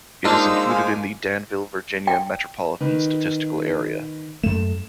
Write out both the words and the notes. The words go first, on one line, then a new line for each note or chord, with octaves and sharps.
It is included in the Danville, Virginia Metropolitan Statistical Area.
G#3 A#3 D4 D#4 F4 C5 E6
F5 G#5
G5
D#3 B4
F#2 A3 E7